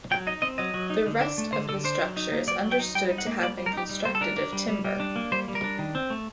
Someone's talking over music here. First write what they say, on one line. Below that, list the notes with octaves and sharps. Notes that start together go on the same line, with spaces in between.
The rest of the structure is understood to have been constructed of timber.
F#3 G5
D#4 D#5
C4 D#5
F#3 D#5
F#3
D#4
D3
D4
A3
D3 C5
D3 A4
D4 C5
F#3
D#4
A#3
F#3 D5
F#3
G5
D#4
G3 G5
D#4
F#5
A#3
G3 D5
G3
A#4
D#4 G4
G3
G3 C5
A4
D4 A#4
D4
G3
G3
G3
D4
A#3
G3 C5
G3
A#4
D4
D#3
C4
A3